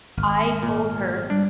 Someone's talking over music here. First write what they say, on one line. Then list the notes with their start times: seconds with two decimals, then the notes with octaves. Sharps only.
I told her
0.17 G#1 F6
0.63 A#2
1.30 G3 D4